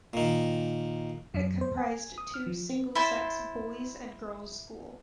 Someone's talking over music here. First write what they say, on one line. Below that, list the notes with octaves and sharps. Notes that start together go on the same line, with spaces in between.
It comprises two single-sex boys and girls school.
A#2 D#3
F#2
C5
G#5
D#6
F6
F3
C4
E4 C5 A5